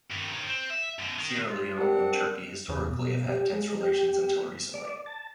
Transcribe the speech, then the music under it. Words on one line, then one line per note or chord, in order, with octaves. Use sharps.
Sierra Leone and Turkey historically have had tense relations until recently.
G2 D#3
D#3 C#4
C4
E5
F#2 B2
D#3
F4
C4 D4 G4 A#4 D5 F#5
E2
B2
G4
G#3
G4
D5
A5